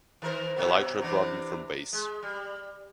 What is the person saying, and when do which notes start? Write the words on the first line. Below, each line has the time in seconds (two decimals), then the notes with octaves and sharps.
Elytra broadened from base.
0.22 D#3 A#4 C5
0.56 B2 F#3 B3
1.01 C3 E3 D4
1.93 G#3
2.23 G3